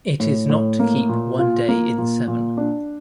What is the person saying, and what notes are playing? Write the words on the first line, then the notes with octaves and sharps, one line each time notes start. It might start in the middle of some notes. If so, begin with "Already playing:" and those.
It is not to keep one day in seven.
A2
A2
A#3
A#2
F4
A#3
A#2
A#2
D4